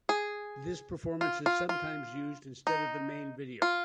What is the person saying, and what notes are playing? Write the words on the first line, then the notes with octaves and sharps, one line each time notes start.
This performance is sometimes used instead of the main video.
G#4
F4
F4
F4
D#4
F4